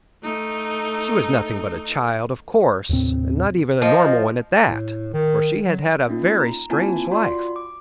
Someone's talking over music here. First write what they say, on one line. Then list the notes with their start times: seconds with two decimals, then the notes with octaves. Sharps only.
She was nothing but a child, of course, and not even a normal one at that, for she had had a very strange life.
0.22 A3 D#4
2.89 D#2 A2 C3 C4
3.82 F3 D#5
4.67 A2
5.13 D#3
5.67 F#3
6.08 A#3 C#4 D#4 F4
6.40 A#5
6.70 A#3 C4 E4 F4 G#5 A5
7.11 F4 F#4 D5 C6
7.56 D6